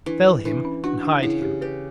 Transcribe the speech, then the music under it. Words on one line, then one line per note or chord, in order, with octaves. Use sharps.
Fell him and hide him.
E3 D4
E4
E3 D4
C#4
D4 F#4
D4
C#3 E4
G4
G4 B4